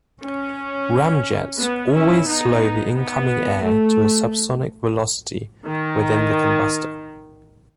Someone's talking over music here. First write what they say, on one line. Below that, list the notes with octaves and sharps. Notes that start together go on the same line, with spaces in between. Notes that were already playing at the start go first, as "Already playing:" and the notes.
Ramjets always slow the incoming air to a subsonic velocity within the combustor.
C#4
B3
C#4 E4
B3 D#4
B3
A3
D#3